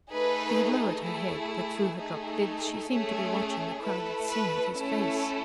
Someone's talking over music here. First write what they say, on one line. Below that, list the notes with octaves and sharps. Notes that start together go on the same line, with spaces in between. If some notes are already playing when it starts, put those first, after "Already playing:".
She had lowered her head, but through her dropped lids she seemed to be watching the crowded scene of his face.
A3 D#4 G#4 B4
A3 E4 G#4
A3 D#4 G#4
A3 C#4 G#4
A3 E4 A4 B4
B4
A3 C#4 E4 A4